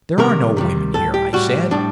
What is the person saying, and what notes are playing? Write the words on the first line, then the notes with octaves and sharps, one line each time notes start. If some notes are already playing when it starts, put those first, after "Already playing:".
'There are no women here,' I said.
C3 D#3 G3 A#4
C3 D#3 G3
A2 G3 A4
G4
A2 G3 F#4
A2 G3 D4